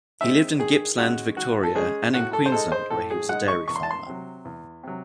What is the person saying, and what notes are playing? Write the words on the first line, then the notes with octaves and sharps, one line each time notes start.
He lived in Gippsland, Victoria and in Queensland where he was a dairy farmer.
G#3 C4 D#4 E5
D#3 G#4
G#3 C#4 F#4
D#3 F#4
A4
G#3 C#4 G#4
A2 F#4
A4
C5
G#3 D#4 A4
C5
A2 A4
G#4
G#3 D#4 F#5
C#6
E2 C#6
C6
A5
C6
C3 F#3
E2
C3 F#3